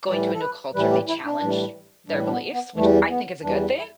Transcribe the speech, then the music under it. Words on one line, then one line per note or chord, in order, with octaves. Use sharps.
going to a new culture may challenge their beliefs, which I think is a good thing.
A2 E3 G3 D5
A4
B4
A2 E3 G3 B4
G4
E4
D4
A2 E3 G3
A2 E3 G3 D4
D4
B3
B3
E2 E3 G3 A3
B3
E2 E3 G3 D4
E4